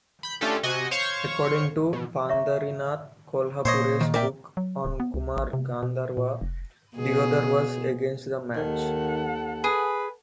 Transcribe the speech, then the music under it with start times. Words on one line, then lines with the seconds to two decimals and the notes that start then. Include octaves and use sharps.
According to Pandharinath Kolhapure's book on Kumar Gandharva, Deodhar was against the match.
0.23 B5 G6
0.41 A3 C#4 D4 F4 G4 A4
0.63 C3 F#4 D#5 F#5 G#5
0.91 C5 C#5 F5 C#6
1.93 B2
2.29 C#5 E5 A#5 C#6
3.65 A#2 C5 C#5 D#5
4.01 D#3
4.14 A#4 D5 E5 G5
4.57 F#3
4.85 D1
5.00 B3
5.14 C#2
5.36 A1
5.53 C3
5.83 B2
6.17 A#2
6.41 F1
6.96 B2 G#4
8.56 D#2 D#3 A4 F#5
9.64 G#4 B4